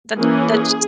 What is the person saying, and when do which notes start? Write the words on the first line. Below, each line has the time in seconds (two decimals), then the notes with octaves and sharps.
That that's just
0.17 E3 A#3 C#4 G#4